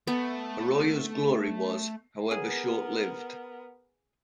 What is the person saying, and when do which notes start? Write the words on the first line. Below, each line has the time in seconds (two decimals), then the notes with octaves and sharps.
Arroyo's glory was, however, short-lived.
0.07 A3 B3
2.31 B3 G#4 A#4